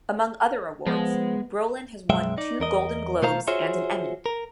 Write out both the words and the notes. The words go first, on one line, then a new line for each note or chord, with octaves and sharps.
Among other awards, Brolin has won two Golden Globes and an Emmy.
F3 G#3 B3
B1 F#2 G#3 E5 G5
D#4 D5
E2 A#4 D#5
B2 A3 F4 C5 F5 A#5
F4 F#4 G#4 C5 C#5 E5
A#4